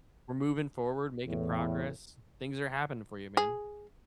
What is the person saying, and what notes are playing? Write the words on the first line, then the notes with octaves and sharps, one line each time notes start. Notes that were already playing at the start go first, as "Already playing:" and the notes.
we're moving forward, making progress. Things are happening for you, man.
E2 A2
G#4